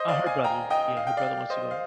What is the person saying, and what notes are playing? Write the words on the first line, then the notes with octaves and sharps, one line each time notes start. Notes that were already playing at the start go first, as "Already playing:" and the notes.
Ah, her brother. Yeah, her brother wants to go.
Already playing: C5 D#5
D5 F5
F5 G#5
G5 A#5
D#5 G5
F5
G5
D5 F5
C5 D#5
F5